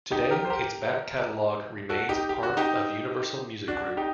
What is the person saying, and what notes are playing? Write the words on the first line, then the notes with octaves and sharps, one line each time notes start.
Today its back catalog remains part of Universal Music Group.
D#4 G4
G4 A#4
C5
G4 A#4
F#4 A4
D#4 G4
G4
F#4
D#4 G4
D4 F#4
D#4 G4